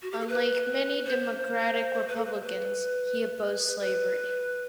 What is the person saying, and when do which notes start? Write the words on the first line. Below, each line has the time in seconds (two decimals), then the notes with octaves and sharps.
Unlike many Democratic-Republicans, he opposed slavery.
0.02 F#4
0.11 G4
0.20 A4
0.28 B4
1.05 C5
2.08 B4
2.16 A4
2.25 B4
2.34 C5
2.42 B4
3.80 B4